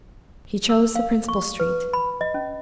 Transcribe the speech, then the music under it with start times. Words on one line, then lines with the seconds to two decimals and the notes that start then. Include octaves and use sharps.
He chose the principal street.
0.69 E6
0.95 F5
1.29 C#6
1.60 B4
1.93 B5
2.21 D#5
2.34 C#4